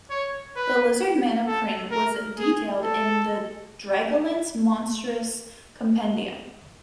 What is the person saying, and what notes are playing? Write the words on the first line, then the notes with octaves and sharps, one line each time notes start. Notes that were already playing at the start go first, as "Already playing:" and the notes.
The lizard man of Krynn was detailed in the "Dragonlance Monstrous Compendium".
C#5
B4
A4
A#4
G#4
A4